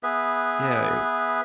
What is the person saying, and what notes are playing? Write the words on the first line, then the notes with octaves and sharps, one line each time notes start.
Yeah, it w
B3 G#4 B4 E5